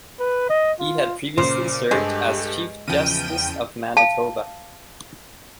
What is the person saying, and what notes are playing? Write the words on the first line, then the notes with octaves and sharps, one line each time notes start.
He had previously served as Chief Justice of Manitoba.
B4
D#5
F4
A#2 C#3 C5
G2 G#3 G4 A4
E2 C#3 F3 G5 D#7
F5 A5